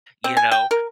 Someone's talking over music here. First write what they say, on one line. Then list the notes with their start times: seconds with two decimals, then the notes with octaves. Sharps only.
you know,
0.24 C4
0.37 G#5
0.52 G5
0.71 A#4